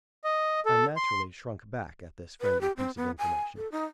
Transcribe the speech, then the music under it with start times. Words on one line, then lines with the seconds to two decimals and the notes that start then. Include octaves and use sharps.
I naturally shrunk back at this friendly piece of information.
0.24 D#5
0.65 A4
0.96 C6
2.41 B4
2.61 G4
2.77 C4
2.96 B3
3.19 G#5
3.57 A4
3.72 D#4